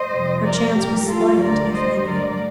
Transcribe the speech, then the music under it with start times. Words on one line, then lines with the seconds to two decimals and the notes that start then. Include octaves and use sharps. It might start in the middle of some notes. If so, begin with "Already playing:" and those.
Her chance was slight, if any.
Already playing: C5 D#5
0.11 F2 C3 G3
0.43 A#4 D5
0.75 A2 G3 G4 A#4
1.08 F4 A4
1.40 D2 D3 G3 A#4 D5
1.73 C5 D#5
2.06 G2 D3 A3 A#4 D5